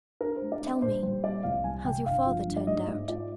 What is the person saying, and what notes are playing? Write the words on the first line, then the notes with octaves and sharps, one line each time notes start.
Tell me, has your father turned out?'
D4 A#4
G#3 C5
D5
D4
D5
A#2 C5
G3 C5
C4 D5
C2 F5
G3 G#5
C3 G5
G1 F5
F3
G2
D5
G#2 D#5
G#2 D5
F4 D5